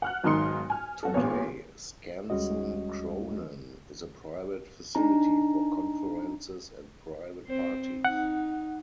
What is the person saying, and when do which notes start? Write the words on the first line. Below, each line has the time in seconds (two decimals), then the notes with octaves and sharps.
Today Skansen Kronan is a private facility for conferences and private parties.
0.02 F#5 F6 F#6
0.24 B1 G#2 D#3 D#4 C6 C#7
0.70 G#5 F6
1.03 F#3 F#4 A4
1.14 A1 A#2 B3 C#5
2.30 D2 G3 G#3 C#4 F#4 D#5
4.95 D4 D#4 A#5
7.47 C4 C5
8.05 D#4 F#5